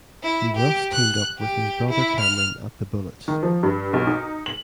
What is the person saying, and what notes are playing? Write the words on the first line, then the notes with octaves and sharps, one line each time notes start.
He thus teamed up with his brother Cameron at the Bullets.
E4
G4
F#6
G4
E4
F6
D#3
F3
G2
B1
D#4
F#7